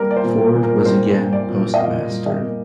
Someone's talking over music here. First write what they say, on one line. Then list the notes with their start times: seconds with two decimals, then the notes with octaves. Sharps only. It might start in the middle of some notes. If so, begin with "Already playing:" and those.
Ford was again postmaster.
Already playing: G3 A#3 A#4 D5
0.11 D5
0.16 C5
0.24 A#2
0.55 A#2
0.63 A#4
0.79 A#4
0.85 G3 C5
1.17 A#3
1.32 D5
1.49 A#2
1.74 D#5
1.80 A#2 F5
2.11 G3
2.26 D#5
2.41 A#3